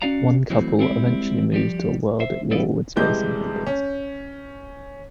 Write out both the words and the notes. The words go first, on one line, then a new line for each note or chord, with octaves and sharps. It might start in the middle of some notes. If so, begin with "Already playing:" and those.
One couple eventually moves to a world at war with space invaders.
C#4 F#4 D5 F5 A#5
E2 E3 F#3 A3 C4
G3 G#3 C4 E4 F#4 G4
F3 G3 G4
C5 E5
G3 E4 A4 B4 D5 D#5
F1 E3 G3 G#3 D#5 G6
C#4